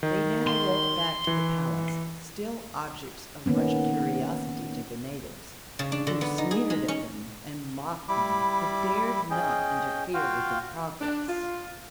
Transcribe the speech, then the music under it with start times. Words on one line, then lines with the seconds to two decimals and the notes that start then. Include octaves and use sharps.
They now walked back to the palace, still objects of much curiosity to the natives, who sneered at them and mocked them but dared not interfere with their progress.
0.03 D#3
0.47 C6
1.27 E3
3.46 D#3 A#3 B3 C#4
5.79 C#3
5.92 D4
6.07 D3
6.21 B3
6.38 D#4
6.51 G#4
6.70 G#3
6.88 C#4
8.09 G3 E4 B5 D6
9.30 C#4 G#4 D#5 G5
10.14 F4 F#4 F5 G5
11.01 D4
11.27 F4